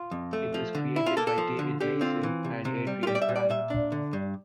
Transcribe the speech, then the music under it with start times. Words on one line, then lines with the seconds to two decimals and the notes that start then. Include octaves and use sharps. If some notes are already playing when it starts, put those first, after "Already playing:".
It was created by David Mason and Adrian Brant.
Already playing: F4
0.11 F2
0.33 A3
0.54 F3
0.75 D3
0.96 E4
1.06 F4
1.17 A#3 A4
1.27 A4
1.38 F3
1.59 D3
1.81 D3 G4
2.01 C4 F4
2.23 E3
2.45 C3
2.65 C3
2.87 G3
3.03 F4
3.07 G3 G4
3.15 D5
3.22 E5
3.29 A#2
3.36 D5
3.50 A#2 E5
3.70 D4
3.92 D3
4.13 G2